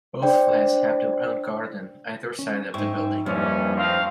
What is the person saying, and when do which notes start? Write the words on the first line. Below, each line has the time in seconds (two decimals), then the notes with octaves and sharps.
Both flats have their own garden either side of the building.
0.22 D4 C5 D5 G5
2.39 C#4
2.74 G#2 D#4 E5 G5 C#6
3.26 F2 E3 F3 G3 A#3 C#4 D4
3.77 F3 C4 C#5 D#5 F5 A#5